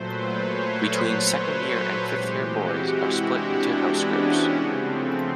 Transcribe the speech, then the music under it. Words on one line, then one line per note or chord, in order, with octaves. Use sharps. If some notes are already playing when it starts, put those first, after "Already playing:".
Between Second Year and Fifth Year boys, are split into house groups.
Already playing: A#2 F#3 A3 B4 C5
C#5
C5
B4
C5
C3 E3 G#3 G4
F#4
E4
E4
D4
B3
C#4
C#3 F3 A3 C4